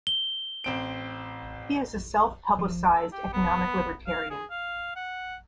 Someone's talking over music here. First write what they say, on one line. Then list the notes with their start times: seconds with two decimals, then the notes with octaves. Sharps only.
He is a self-publicized economic libertarian.
0.07 G7
0.64 A1 C4 D7
2.59 F3
2.95 A4
3.12 G4
3.33 B3
4.07 F5
4.30 G#4
4.51 F5
4.96 F#5